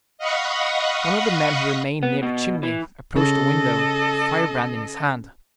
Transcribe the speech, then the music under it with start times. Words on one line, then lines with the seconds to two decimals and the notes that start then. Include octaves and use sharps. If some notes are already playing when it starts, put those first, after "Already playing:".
One of the men who remained near the chimney approached the window, a firebrand in his hand.
0.18 D#5 F5 F#5 B5 C#6 D#6
2.03 B3
2.23 B2
2.63 E3
3.16 C#3 A4 D#5